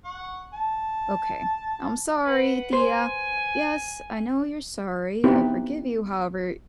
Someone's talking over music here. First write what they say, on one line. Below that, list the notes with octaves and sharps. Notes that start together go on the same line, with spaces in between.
Okay. "I'm sorry, Tia." "Yes, I know you're sorry. I forgive you, however,
F#5 C#6
A5
B4 F#5
C5 G#5
B3 C4 D#4 E4 G4 B4